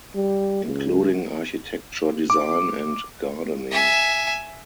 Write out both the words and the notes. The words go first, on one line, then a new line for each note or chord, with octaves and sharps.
Including architecture, design and gardening.
G3
C#2
D6
E5 G#5